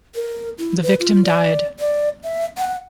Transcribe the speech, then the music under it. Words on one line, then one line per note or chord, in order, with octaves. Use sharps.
The victim died.
A#4
E4
B4
F4
D5
D5
E5
F#5